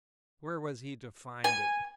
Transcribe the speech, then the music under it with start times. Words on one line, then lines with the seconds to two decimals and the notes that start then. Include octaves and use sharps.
Where was he to find it?
1.44 G#5